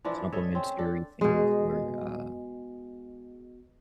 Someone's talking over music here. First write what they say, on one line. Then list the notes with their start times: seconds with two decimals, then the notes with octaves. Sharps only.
complimentary things or, uh,
0.05 E3 F3 D4 E4
0.32 A4 C#5 D#5 E5
0.55 C4 C#4
0.78 D4 A4
1.21 B2 G#3